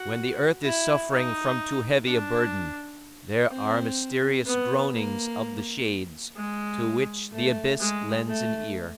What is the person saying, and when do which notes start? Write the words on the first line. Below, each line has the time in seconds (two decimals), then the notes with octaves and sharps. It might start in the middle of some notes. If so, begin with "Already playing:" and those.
When the earth is suffering from too heavy a burden, there are mysterious groanings of the shades, to which the abyss lends an ear.
Already playing: F#4
0.63 E4
1.11 D#4
2.07 D4
3.50 C4
4.46 B3
4.93 A#3
6.36 G#3
7.32 A3
7.80 G#3
8.27 A3